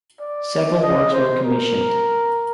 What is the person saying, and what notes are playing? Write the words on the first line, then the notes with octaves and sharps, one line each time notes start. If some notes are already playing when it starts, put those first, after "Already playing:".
Several works were commissioned.
D5
D#5
C5
A#4